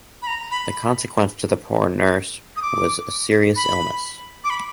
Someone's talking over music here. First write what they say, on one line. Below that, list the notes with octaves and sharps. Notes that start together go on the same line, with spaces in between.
The consequence to the poor nurse was a serious illness.
B5
A#5
B5
D#6
D6
B5
D6
B5